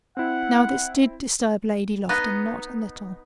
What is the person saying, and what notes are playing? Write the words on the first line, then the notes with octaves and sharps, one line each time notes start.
Now this did disturb Lady Lufton not a little.
C4 E4 F#5
B3 D#4